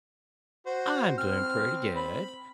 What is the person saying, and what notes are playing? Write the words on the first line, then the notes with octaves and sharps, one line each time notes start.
I'm doing pretty good.
F#4 C5
C4 F6
B5